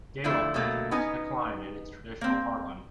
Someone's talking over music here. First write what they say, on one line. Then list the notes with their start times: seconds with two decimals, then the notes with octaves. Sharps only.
Gaelic continues to decline in its traditional heartland.
0.24 D3 F3 A3 E4
0.54 B2 F#3 A3 A#3
0.91 B3 C#4 D#4 G#5
2.21 A#3 C4